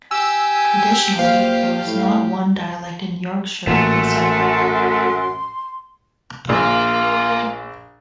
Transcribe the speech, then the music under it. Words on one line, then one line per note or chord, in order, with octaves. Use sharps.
Traditionally, there was not one dialect in Yorkshire but several.
G4 G#5 E6
A#2 C5 F5
A2 A3
A1 F#2 A#2 A3 C6
A#1 A#3 F4